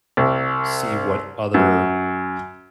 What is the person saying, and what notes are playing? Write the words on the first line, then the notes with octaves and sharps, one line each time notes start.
see what other
C2
F#2